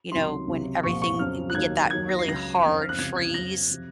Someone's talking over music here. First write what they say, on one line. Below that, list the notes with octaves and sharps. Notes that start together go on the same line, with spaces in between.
you know, when everything i we get that really hard freeze.
C#2 C3 D#3 F#3 C6
C#2 C3 F#3
C2 A#2 F3 C#6
C#6
F2 C#3 F#3 F6
F#6
D#2 D#3 F#3 G#6
D#2 D#3 F#3 G#6
A#6
C7
C#2 C#3 F#3 A#6
F2 C#3 F3
F6
F#6
C#2 C3 F3 G#6
G#6
F2 C#3 F#3 A#6
C3 F3